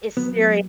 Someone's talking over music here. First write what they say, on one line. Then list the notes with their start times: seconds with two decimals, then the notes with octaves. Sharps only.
is serious
0.17 F#3 B3